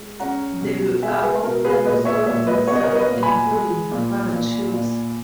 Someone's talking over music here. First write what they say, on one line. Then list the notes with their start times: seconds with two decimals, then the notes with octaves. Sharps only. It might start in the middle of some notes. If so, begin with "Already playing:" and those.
They are often sold in sets, including different shapes.
Already playing: G#3
0.20 C#4 F#5 A#5
0.61 B2
1.03 G#3 E5 G#5
1.23 G#4 B4
1.44 B2 A#4
1.64 G#4 B4
1.85 A#2 B4 D#5
2.05 C#5 E5
2.26 A#2 C#5 E5
2.47 B4 D#5
2.68 B3 C#5
2.75 D#5
2.83 A#4 C#5
2.95 B4 D#5
3.09 A#2
3.23 G#5 B5
3.51 G#3
3.92 A#2
4.32 A#2
4.74 A#2